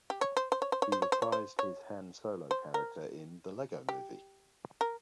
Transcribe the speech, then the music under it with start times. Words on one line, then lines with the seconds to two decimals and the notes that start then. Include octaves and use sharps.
He reprised his Han Solo character in "The Lego Movie".
0.10 G4
0.21 C#5
0.37 C5
0.52 C5
0.62 C#5
0.72 C5
0.82 C#5
0.92 C5
1.02 C#5
1.12 C5
1.22 C#5
1.32 C5
1.59 C#5
2.51 C5
2.74 A#4
3.89 G4
4.81 A#4